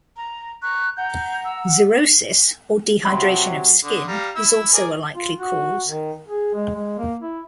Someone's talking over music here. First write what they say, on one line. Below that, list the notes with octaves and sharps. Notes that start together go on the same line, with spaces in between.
Xerosis, or dehydration of skin is also a likely cause.
A#5
A#5 C#6 F#6
F#5 A#5 G6
E6
F#5
C3 F#3 B5 C6
D3 D#6
G3 F5 A#5
E4 E6
G#4 A#4 D5
F4
F#4
D#3
G#4
G#3
G#3
A#3
E4